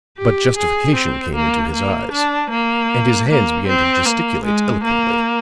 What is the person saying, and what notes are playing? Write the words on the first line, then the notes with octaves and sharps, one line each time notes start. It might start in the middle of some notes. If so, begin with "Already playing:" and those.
But justification came into his eyes, and his hands began to gesticulate eloquently.
G4
G#4
C4
A#3
A#3
D4
A#3
A#3
C4
A#3
G#3
A#3